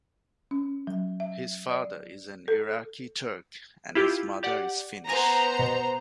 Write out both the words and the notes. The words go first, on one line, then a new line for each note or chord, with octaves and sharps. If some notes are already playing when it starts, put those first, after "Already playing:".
His father is an Iraqi Turk and his mother is Finnish.
C#4
F#3
E5
D5
A4
E4 F4 G4
G4 D5 F#5
B3 C5 G#5 A#5 A#6
B2